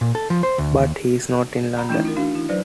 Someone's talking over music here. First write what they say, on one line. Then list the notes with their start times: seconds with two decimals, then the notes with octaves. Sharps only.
But he's not in London?
0.01 A#2
0.15 A4
0.30 F3
0.43 C5
0.58 D2
0.78 D#2
1.75 F#5 A#5 B5
1.89 E3 A3 C#4 D#4 E4
2.05 F4 A#4
2.16 D4 F#4 F5
2.35 E4
2.49 F#3 B4 C5 D5